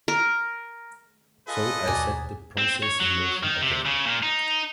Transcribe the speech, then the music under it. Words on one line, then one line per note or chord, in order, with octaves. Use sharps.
So I set the process in motion again.
A#4
F4 G#4 A4 B4 D#5
D#2 B2 F#3 D5 G#5
C4
C#5
F#3
D#3
C3
C#3
A#2
D#4